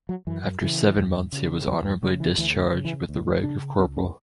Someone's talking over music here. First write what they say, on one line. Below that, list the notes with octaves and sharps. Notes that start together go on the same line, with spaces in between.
After seven months he was honorably discharged with the rank of corporal.
F#3
F#2 E3
C#3 E3
E2
C#3
E2 F#3
G3
C#3 G3
E3
D2 E3
C#3
E3
D2
C#3 D4
C#2 C#4
C#4